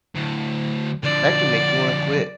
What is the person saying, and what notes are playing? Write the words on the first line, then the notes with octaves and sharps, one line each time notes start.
that can make you wanna quit.
D2 A2
D3 F3 D5